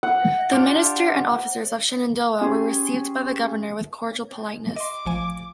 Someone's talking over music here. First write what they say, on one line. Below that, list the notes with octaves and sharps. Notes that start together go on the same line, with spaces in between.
The minister and officers of "Shenandoah" were received by the governor with cordial politeness.
F#5
D4 F4 G4
C#4 G4 G#4 C6
D#5 C6 D6
A1 F3 G#5